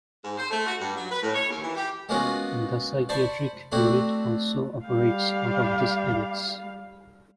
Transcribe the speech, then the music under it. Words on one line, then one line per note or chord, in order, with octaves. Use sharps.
The psychiatric unit also operates out of this Annex.
G#2
C5
A3
F#4
G2
F#3
B4
A2
C#5
D#2
E3
G4
G#3 A#3 B3 C#4 F4 F#4
C5 D5 A5 B5 C#6
A3 C4 D4 E4 F#4
G3 F5